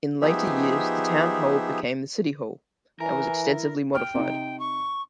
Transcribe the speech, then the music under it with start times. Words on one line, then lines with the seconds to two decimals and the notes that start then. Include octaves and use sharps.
In later years, the Town Hall became the City Hall and was extensively modified.
0.22 F3 B3 D#4 G4 G#4 E5
3.00 E3 E4 A#4 G#5
3.95 G5 F6
4.14 C3 D#4
4.60 C#6